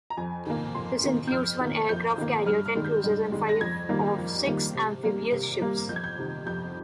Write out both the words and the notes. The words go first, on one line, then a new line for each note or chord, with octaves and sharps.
This included one aircraft carrier, ten cruisers and five of six amphibious ships.
A#5
F2 G#5
D#3 A#3
F2 C6
D#3 A#3
G6
F2 F6
D#3 A#3
F2 G6
D#3 A#3
G2 F6
F6
D#3 G#3
G6
G2
D#3 G#3
A#6
F2 G#6
D#3 G3 A#3
F2
D#3 G3 A#3
C3
G3 A#3
C3
G3 A#3
F2 G6
G#6
G6
C3 D#3
F2 G6